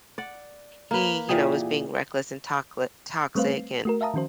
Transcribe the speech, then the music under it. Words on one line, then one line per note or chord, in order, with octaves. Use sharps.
He, you know, was being reckless and toxic toxic, and,
D5 F#5
A#3 B4
A#2 E3 G4 G#4
G3 A3 C4 B4 C5 F5
C7
A3 F#4 A#4
E5 F5 A5 A#5 D#6
D#3 F3 C#4 F#4 C5